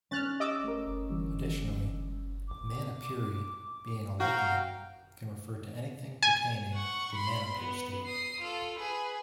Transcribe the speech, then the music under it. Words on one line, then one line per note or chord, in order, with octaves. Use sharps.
Additionally, "Manipuri," being a loconym, can refer to anything pertaining to Manipur state.
C#4 F6 F#6 A6
G4 D#5 D6 E6
A3 A#4
D3 E3 G3
D6
F#4 F5 G5 A#5
G#5
F#5 C#6
B5 C6
B3
D#6 C7
F4 A4
G#4 B4